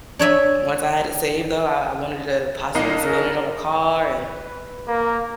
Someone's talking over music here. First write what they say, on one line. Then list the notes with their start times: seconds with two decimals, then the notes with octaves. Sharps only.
once I had it saved though, I I wanted to possibly spend it on a car and,
0.19 D4 C#5 E5 G#5
2.75 B1 A2 A#3 D#4 C7
3.02 C#3 A#4
3.99 B4
4.88 A#3